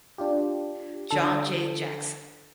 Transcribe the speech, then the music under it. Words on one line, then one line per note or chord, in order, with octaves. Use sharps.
John Jay Jackson.
D4 F4 G4
D3 A4